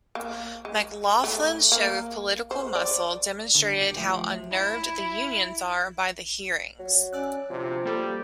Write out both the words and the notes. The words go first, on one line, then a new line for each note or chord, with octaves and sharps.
McLaughlin's show of political muscle demonstrated how unnerved the unions are by the hearings.
A#3
G#3
A3
A#3
C5
D5
D3
G4
F3 A3
E4
F#3
C#4 D5 E6 F#6
D2 C3 F3
G3 A#3 G4 A4